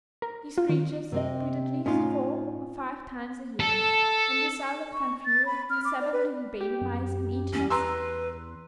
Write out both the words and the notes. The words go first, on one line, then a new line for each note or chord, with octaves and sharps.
These creatures breed at least four or five times a year; and you seldom find fewer than seven little baby-mice in each nest.
A#4
F4
D#3
C3 C4 D#5
A2 C#4 D#4 F4
A4
C#6
A6
B5
F6
D6
D5
B4
G4
F#2
E2 C#4
B4 A#5 C6 E6